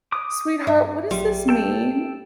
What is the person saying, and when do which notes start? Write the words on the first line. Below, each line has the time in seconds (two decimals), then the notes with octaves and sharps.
"Sweetheart, what does this mean?"
0.12 D6 D#6
0.67 G2 E5
1.11 A#1 F#3 G3 C6
1.49 A4 G5